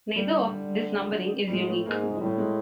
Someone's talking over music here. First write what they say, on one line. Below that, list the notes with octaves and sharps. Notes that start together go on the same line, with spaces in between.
Neither of this numbering is unique.
D3 G3
G3
A2 G#3
A3
G#2 A#3
G#3
A2 G3
G#3